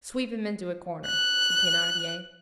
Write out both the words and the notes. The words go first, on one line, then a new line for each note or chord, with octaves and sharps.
"Sweep him into a corner," said Thenardier.
F#6